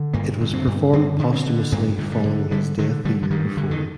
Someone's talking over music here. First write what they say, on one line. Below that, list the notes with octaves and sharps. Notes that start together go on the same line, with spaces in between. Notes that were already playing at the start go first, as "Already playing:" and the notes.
It was performed posthumously following his death the year before.
Already playing: D3
G2 A#3
D3
C4
G2
D3 C4
D3
C4
D3
G2 A#3
D3
G3
D3
D3 G3
D3 D#3
D3 G3
D3
G2 D#3
D3
D#3